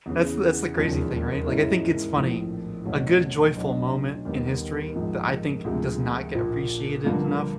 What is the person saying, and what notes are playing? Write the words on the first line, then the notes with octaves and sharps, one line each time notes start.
that's that's the crazy thing, right, like, I think it's funny, a good joyful moment in history that I think does not get appreciated enough
E2 C#3 E3
E1 D#2 C#3 F3
G#2 E3 G#3 C#4 E4
A#1 A2 F3 A3 C4
E2 B2 F#3 A3 C#4
B1 B2 F#3 A3 D4
D#2 D#3 G3 B3
A#1 G#2 F3
D2 C3 F3 G#3
A#1 A#2 F3
G2 D3 F3 A#3